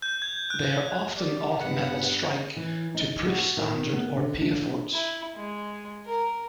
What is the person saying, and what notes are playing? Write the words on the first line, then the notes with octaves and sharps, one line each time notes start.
They are often off-metal strike, to proof standard or piedforts.
G6
G#6
F#6
G4 D5
G2 B3 F#5
E3
D#4
F#4
D#3
B3
D3
D4
E4
G#3
A#4